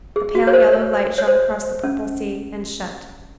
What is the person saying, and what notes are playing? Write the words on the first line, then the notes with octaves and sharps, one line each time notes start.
A pale yellow light shot across the purple sea; and shut.
G#4
F#4
C#5
C5
C#5
C#5
C5
C#4